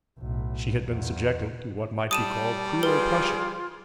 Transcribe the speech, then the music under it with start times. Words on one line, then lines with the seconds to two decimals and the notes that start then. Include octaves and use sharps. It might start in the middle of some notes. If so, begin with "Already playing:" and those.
She had been subjected to what might be called cruel pressure.
0.19 B1 A2
0.86 E2 A#2
2.11 G3 A5 D#6 D#7 E7
2.83 F4 G#4 B4